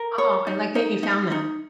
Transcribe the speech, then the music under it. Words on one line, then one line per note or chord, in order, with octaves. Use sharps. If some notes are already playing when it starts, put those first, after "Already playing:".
Oh, I like that you found that.
Already playing: A#4
C#5
D#4
D#4
D#4
D#4